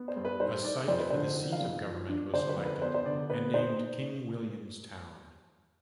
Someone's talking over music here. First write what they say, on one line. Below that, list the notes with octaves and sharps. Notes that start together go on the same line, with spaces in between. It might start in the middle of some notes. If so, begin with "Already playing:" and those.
A site for the seat of government was selected and named King William's Town.
Already playing: B3
C5
G2
B4
D#3 C5
D#3 D5
F2 C5
B4
D3 C5
D#3
F5
F2
F3
D4
D3 C5
B4
F2
B4
B3 C5
C5
D3 D5
B3 B4
D#4 C5